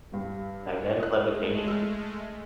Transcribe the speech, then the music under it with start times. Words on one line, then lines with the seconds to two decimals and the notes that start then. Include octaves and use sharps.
Magnetic levitation.
0.12 G2 G3
0.56 D4 C#5
1.00 G#3 A3 D#6 F#6
1.68 E6 F6